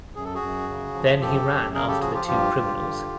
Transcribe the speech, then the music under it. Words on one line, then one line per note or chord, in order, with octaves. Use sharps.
Then he ran after the two criminals.
F#2 G#4
A4
F#4 G#4
F#2
C#3
F3
F#2 G4 A4
F#2
C#3 G#4 A#4
G4 A4
F3 F#4 G#4
F4 G4
G2 F4 G4
G2
D3